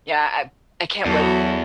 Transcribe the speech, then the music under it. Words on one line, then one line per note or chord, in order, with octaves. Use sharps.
Yeah, I I can't wait.
E2 F#3 F#4 A4